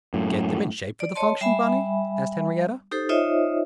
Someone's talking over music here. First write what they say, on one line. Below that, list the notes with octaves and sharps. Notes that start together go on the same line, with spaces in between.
"Get them in shape for the function, Bunny?" asked Henriette.
F#2 A2
D5
C#5 D#5 A5 C6
G3 E5 G#5 B5
D#4 G4 A4 C5
D#4 F4 C5 C#5 D#5 E5